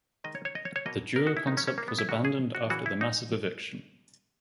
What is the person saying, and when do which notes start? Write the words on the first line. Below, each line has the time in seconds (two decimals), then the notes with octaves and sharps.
The duo concept was abandoned after the massive eviction.
0.24 D#3 G#3 D#5
0.35 C#5
0.45 C#5
0.55 D#5
0.65 C#5
0.76 C#5
0.86 B2 F#3 A#3 D#5
1.16 A#4
1.27 F#4
1.37 E4
1.47 D#3 D#4
1.52 G#3
1.57 C#4
1.67 C#4
1.78 A#3
1.88 B3
1.99 E4
2.09 C#3 F#3 A#3 F#4
2.25 G#4
2.55 F#4
2.70 C#3 E3 A#3 F#4
2.86 E4
3.01 D#4